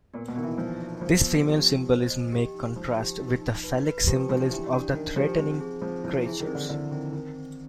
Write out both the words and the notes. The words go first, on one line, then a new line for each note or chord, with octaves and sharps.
This female symbolism may contrast with the phallic symbolism of the threatening creatures.
A#2 B3
B2
D#3 B3
E3
F3 D#4
B3
F3 B3
B3
G4
B3
C5
D#5
G4
D#4
F3 D#4
G4
D#4
D#4
B4
B4
F3 G4
F3 D4
E3 G4
D4
D#3 D4
F3 G4
F3 C4
G#4
F3 C4
F3 E4
E3 G#4
D#3
C4
D3
D3 E4
D#3 C4
D#3 C4
C4